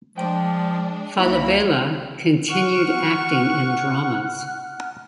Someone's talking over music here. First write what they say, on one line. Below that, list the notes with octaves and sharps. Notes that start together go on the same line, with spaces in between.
Falabella continued acting in dramas.
F3 G#3 D4 G5
C2 E3 A#3 D#4 E4 C5 B5
F#5 C#6 F6 F#6